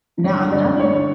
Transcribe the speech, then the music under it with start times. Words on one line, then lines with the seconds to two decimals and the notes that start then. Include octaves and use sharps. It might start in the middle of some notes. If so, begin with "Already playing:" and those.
Now another
0.24 D3 C#5
0.45 D3
0.52 D5
0.65 D3
0.80 C#5
0.85 D3